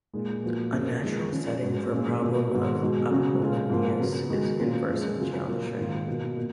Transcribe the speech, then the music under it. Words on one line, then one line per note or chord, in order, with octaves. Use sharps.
A natural setting for problem of Apollonius is inversive geometry.
A#2 G#3 D#4
A#2 F3 B3 F#4
F#2 F3 A#3
F3 G#3 D#4
F3 G#3 C#4
G#2 F#3 C#4 F#4
A#2 G#3 C#4 F4
B2 A#3 F4
G#2 D#3 F#3 B3
B2 G#3 D#4 F#4
C#3 F#3 C#4 F#4
B2 G#3 C#4 F4
G#2 F3 A#3 F4
C#3 F#3 B3
D#3 G#3 D#4 F#4
A#2 F#3 C#4 F4
F#2 F3 G#3
C#3 F#3 C#4 F4
A#2 F#3 A#3 F4
G#2 D#3 A#3 F4
B2 A#3 F4
A#2